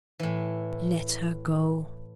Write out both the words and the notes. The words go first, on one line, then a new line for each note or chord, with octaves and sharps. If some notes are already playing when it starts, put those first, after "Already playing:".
Let her go!'
A2 E3